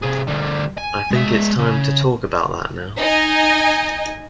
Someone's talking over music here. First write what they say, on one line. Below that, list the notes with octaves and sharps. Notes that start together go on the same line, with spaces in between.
I think it's time to talk about that now.
C3 G#4
D2 G3
G#5
G#3 E5
C#3
D#4 D#5 G#5